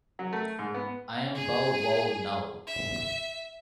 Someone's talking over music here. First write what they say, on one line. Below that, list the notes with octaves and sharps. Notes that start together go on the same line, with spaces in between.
I'm Bow Wow now.
F#3
A3
G#2
B3
G#4
E5